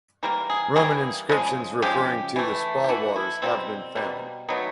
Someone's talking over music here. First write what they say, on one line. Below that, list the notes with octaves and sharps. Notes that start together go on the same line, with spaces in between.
Roman inscriptions referring to the spa waters have been found.
E3 G3 A#3 A#4
G#4
E3 G3 A#3 G#4
C#3 F3 G#3
C#3 F3 G#3 G4
E3 A3
G4
E3 A3 F#4
E4
B2 G3 A#3 C4
B2 G3 A#3
D#3 F#3 A3 B3